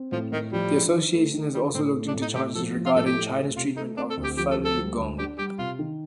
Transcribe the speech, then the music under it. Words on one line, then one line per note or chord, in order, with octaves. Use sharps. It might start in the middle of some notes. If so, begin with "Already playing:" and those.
The association has also looked into charges regarding China's treatment of the Falun Gong.
Already playing: C4
A2 F3
A2 D#3
F3 G3
D4
D#3
A3
D#3
G3 A4
A2 C4
A3
D4
A2
D#4
A2 G4
F3 A4
F3
F4
A2 A4
G4
A3
A3
C3 F4
A3 D#4
C4 D4
A4
D2
G4
F3 G4
A4
D2
A4
G3
D2
D4 G4
G3 G4
C3 F4
D#3